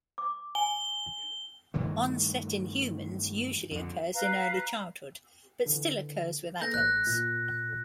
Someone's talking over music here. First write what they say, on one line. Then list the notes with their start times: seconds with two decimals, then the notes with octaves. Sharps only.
Onset in humans usually occurs in early childhood, but still occurs with adults.
0.18 D6
0.55 G#5 G7
1.74 G2 D#3 E3 A3
3.71 F2 D3
4.14 B4 F5 A#5
5.66 D3 E3
6.62 A#3 A4 B4 G6 A#6
6.74 A1 F#6
7.06 A#2